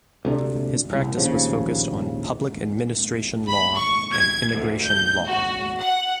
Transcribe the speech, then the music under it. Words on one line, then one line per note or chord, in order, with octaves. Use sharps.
His practice was focused on Public Administration Law and Immigration Law.
D2 C3 C#4 D4
E1 C2
A#1 D#2 C#3 F3
B5
C#6
G#6
D2
G6
F#4
F#5